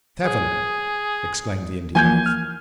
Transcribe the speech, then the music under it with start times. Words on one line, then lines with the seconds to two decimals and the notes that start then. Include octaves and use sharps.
"Seven!" exclaimed the Indian youth.
0.24 G#4
1.95 E3 F3 A#3 G#5 G6 G#6
2.26 F6